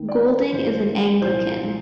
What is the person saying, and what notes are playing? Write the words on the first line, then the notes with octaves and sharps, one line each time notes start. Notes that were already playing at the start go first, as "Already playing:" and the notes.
Golding is an Anglican.
Already playing: D#2 D#3
D5
C#5
G1 G2 E3 C5
C2 A#2 F3 C5